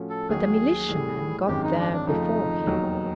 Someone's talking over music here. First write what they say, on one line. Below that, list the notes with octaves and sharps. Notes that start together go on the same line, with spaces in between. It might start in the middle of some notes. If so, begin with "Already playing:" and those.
But a militiaman got there before him.
Already playing: A2 F3 A3 C#4 F#4
A4
D#2 D#3 F#3 G#4
A2 E3 G3
G#1 F#2 D#3 G#3 C4 G4
D#4
D4
D4
F2 C#3 F3 A3 D#4
E1 D#2 D#3 F#3